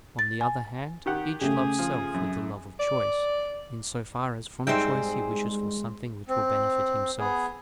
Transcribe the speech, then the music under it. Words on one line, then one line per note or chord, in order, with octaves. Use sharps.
On the other hand, each loves self with the love of choice, in so far as from choice he wishes for something which will benefit himself.
A6
G#5
D#3 G4 F#5
C#3 A3 G4 G#4
F3
F#2
D5
G#2 G3 C4 D#4 G#4 E5 G5
G#3
C4
B3 G#4